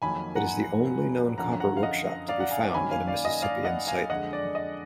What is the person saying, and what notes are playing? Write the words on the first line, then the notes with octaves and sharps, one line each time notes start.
It is the only known copper workshop to be found at a Mississippian site.
F2 D#3 F#3 A#3 G#5 B5
F#5 A#5
F#2 D3 F3 F#5 A#5
F#5 A#5
F5
D#5 F#5
D5 F5
F#5
F5 G#5
F#2 D#3 F#3 A#3 G#5 B5
F5 G#5
D5 F5
D#5
D5 F5
D#5 F#5
F5 G#5
F2 D3 G#3 D#5 F#5
D5
D#5